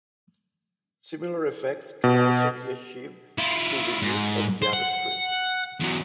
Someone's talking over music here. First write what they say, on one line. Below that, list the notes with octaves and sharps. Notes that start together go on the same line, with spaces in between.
Similar effects can also be achieved through the use of JavaScript.
B2
E4 F4
G#2
C5
F#5
E2 F#3